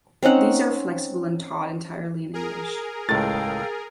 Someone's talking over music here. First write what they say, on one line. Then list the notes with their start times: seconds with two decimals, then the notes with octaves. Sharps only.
These are flexible and taught entirely in English.
0.23 C4 C#4 D#4 F#5
2.34 G#4 A#4
3.09 C#2 A2 F5 G5 E6 A6